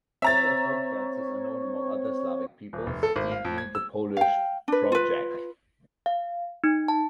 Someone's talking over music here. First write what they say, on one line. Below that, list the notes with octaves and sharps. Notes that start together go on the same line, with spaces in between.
Similar folk dances are known among other Slavic peoples, e.g., the Polish Trojak.
C4 C#5 E5 A#5 A6
D#1
F1
A4
G#1
F5
F2
G#6
E6
F5 G5
D4 B4
F4 B4
F5
D#4
A5